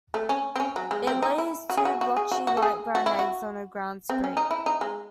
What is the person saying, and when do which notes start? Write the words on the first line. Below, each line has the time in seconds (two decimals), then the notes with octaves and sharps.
It lays two blotchy light brown eggs on a ground scrape.
0.14 A3
0.29 C#4
0.56 C4
0.60 C#4
0.76 F#3
0.91 G#3
1.07 C4
1.22 D#4
1.38 E4
1.70 F#4
1.77 G#4
1.85 F#4
2.01 F#4
2.17 G#4
2.32 F#4
2.47 F#4
2.57 A4
2.62 G#4
2.95 F#4
3.06 E4
3.19 F#4
4.09 C4
4.24 C#4
4.37 D#4
4.51 E4
4.66 D#4
4.81 G#3